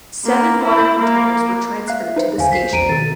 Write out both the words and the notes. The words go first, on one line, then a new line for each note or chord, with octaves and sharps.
Seven water containers were transferred to the station.
A#3
E4
A#3
E5 F5 F#6 C7
D#4 B4 C5
E2 D3 C5 F5 G#5
B1 B6 C7
A#1 E2 A#5 D7 D#7
B2 D#3 A4 A6